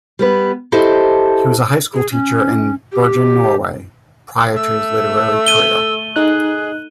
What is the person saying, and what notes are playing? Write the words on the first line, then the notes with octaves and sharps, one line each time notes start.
He was a high school teacher in Bergen, Norway, prior to his literary career.
G3 B3 B4
E4 G4 A4 C5 D#5 E5
G#4
C#4
G4
A3 E6
D#7 G7
D#4 G#4 F#6